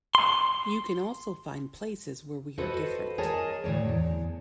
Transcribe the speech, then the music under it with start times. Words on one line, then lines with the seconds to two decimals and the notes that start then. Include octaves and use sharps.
You can also find places where we are different.
0.15 C6
2.58 F#4 G4 A4 B4 C5 D#5
3.18 G#4 A#4 C#5 D#5 G#5 A5
3.64 D2 A2 F3 C#5 D5
3.89 E2